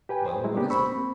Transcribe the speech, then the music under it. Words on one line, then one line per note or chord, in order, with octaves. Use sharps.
"Well, what is it?"
G4 B4 G5 G#5
C5
F#3 G#3 E4 G#4
A#3 B3 D4 G4
C5 B5 C#6 E6
A#3 C4